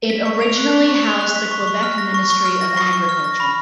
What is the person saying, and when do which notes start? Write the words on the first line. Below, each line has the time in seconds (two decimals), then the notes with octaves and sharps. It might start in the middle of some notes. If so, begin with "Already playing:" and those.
It originally housed the Quebec Ministry of Agriculture.
0.10 B6
0.25 C#6
0.41 F7
0.57 F#6
0.72 B6
0.88 C#6
1.03 F7
1.20 F#6
1.35 B6
1.51 C#6
1.67 C#6
1.83 F6
1.98 A#6
2.14 C#6
2.30 C#6
2.45 F6
2.61 A#6
2.77 C#6
2.93 C#6
3.09 F6
3.24 A#6
3.40 B5